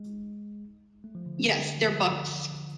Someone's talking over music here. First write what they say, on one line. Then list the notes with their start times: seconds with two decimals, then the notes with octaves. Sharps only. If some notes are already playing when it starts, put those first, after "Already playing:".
Yes, they're books.
Already playing: G#3
1.04 A3
1.15 F3
1.26 D3
1.38 F3
1.48 D3
1.63 D3
1.78 F3